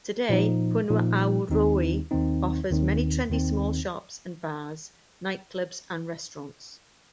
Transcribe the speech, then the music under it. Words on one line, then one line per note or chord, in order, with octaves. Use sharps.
Today Punavuori offers many trendy small shops and bars, nightclubs and restaurants.
A#2 F3 D#4
A#2 F3 D#4
D#2 D#3 C4 D#4
D#2 D#3 C4 D#4
D#2 D#3 C4 D#4
D#2 D#3 C4 D#4